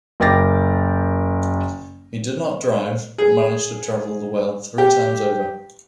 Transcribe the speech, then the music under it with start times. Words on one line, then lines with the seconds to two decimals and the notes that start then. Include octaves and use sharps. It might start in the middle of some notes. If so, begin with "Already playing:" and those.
He did not drive but managed to travel the world three times over.
0.20 F#1 A#4 G5 D6 A6 A#6
3.18 G#4
4.78 G4